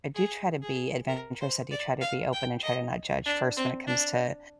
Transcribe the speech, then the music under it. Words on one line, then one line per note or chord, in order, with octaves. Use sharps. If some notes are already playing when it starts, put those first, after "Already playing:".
I do try to be adventurous, I do try to be open and try to not judge first when it comes to
G#4
G#4
A#4
C5
D5
F5
G5
D#5
D4
C4
D4